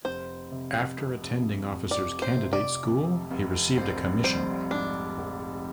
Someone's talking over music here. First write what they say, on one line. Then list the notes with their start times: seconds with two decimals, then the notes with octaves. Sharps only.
After attending Officer's Candidate School he received a commission.
0.05 F1 C5
0.51 C3
0.98 F2
1.44 F1
1.90 F1 D5
2.22 C5
2.38 C3
2.53 D5
2.85 F2
3.31 F1
3.77 A#1 C5
4.24 G3 C5
4.71 G#2 D4
5.17 A#1